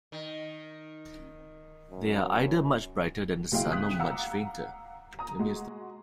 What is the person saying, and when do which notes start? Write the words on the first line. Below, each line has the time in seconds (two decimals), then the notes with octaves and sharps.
They are either much brighter than the Sun, or much fainter.
0.12 D#3
1.91 F#2
3.52 C#2 F#3 G#3 E4 F5 G5
3.70 C4 D#6 F#6 B6
3.99 F5 F#5 A#5 D6 E6
5.19 A#5 D#6
5.39 G#3 F#4